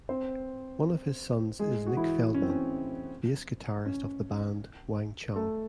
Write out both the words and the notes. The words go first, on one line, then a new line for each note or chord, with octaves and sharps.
One of his sons is Nick Feldman, bass guitarist of the band Wang Chung.
C4 C5
G#3 G#4
F#4
E3 E4
C#4
C4
C#4
C#4
A3 A4